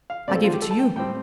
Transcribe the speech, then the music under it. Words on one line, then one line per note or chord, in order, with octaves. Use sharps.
I gave it to you.
F5
A#2 A3 C4 D5
A4
F4
G4
A4
A5
G5
A2 G3 C4 G5